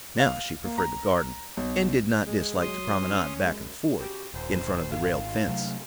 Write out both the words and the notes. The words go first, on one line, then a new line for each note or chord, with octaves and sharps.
Now she preferred the garden, and did not dislike to promenade back and forth in front of the railed fence.
F5
A#3
A#5
B1
G#3
F#3 C6 D#6
C#4
F#2 G#3
C#3 F#4 G4
D#1 D#2 C5
G#1 D#3 F4 F5
C3 F#3 A3